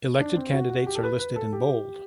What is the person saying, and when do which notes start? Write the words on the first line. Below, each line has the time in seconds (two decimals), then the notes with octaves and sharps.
Elected candidates are listed in bold.
0.20 D4
0.37 C4
0.53 F#4
0.70 F#4
0.87 G4
0.95 A4
1.03 B4
1.19 B4
1.36 A4
1.53 G4